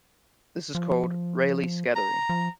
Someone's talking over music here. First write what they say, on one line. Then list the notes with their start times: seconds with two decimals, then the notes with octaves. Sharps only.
This is called Rayleigh scattering.
0.75 F3
1.96 A#5
2.29 F3